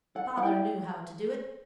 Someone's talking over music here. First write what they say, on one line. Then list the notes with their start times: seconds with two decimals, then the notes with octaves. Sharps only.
"Father knew how to do it."
0.15 A4 F#5
0.37 F#5
0.43 E4 G5